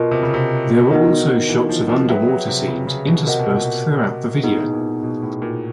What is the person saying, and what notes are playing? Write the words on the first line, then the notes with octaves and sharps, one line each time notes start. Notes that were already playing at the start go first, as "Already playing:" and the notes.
There are also shots of underwater scenes interspersed throughout the video.
Already playing: B2 F4 A#4 D#5
C3
C#3
C3
D#3 B3 D#4 F#4 A#4 D#5
D#3
E3
F3
F3
F#3 G#4 B4 E5 G5
F#3
C3
C#3
C#3
B2
C3 F#4 A#4 D#5 F#5
B2
A#2
B2
A2 B3 D#4 G#4
B2
A#2
B2
A2
A#2